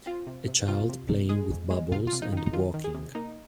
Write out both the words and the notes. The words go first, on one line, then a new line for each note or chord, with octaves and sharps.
A child playing with bubbles and walking.
C4 F4
C3
C3
C3 F4
C3
C3
G#3 G#4
F2
G#3
C3 F4
F4
C3
D#4
D#3 D#4
D#4
D#3 F4
D#3
G#4
C3
A#3 D#4